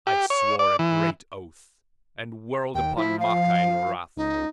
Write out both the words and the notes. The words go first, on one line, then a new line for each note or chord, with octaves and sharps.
I swore a great oath and whirled upon Maka in wrath.
G4
C#5
D5
E3
D#2 G5
F3 E4
F5
C#2 D#4